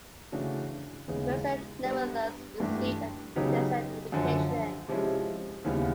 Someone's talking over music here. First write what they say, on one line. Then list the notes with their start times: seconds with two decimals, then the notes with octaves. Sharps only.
Mercier nevertheless received a decent education.
0.32 C#3 E3 A3 D4 F#4
1.08 D#2 C#3 E3 G#3 B3
1.84 G3 B3 D4
2.60 G2 E3 A3 D4 G4
3.36 C#3 F#3 B3 D#4 G4
4.12 F#2 D3 F3
4.88 C3 F3 G#3 C#4 E4
5.64 D#2 C#3 E3 G3 B3